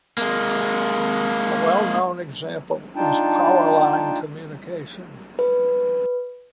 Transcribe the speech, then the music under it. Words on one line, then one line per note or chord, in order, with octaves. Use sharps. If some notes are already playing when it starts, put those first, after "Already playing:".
A well-known example is power line communication.
G#3 A#3
D4 D#4 F4 G5 A5
B4